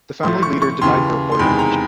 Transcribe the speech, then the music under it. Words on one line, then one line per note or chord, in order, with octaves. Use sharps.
The Family Leader denied the report.
A2 F3 A3 C6
C#6
C#6
D#2 C#3 E3 C6
C6
E2 C3 D#3 G#3 B5
A#5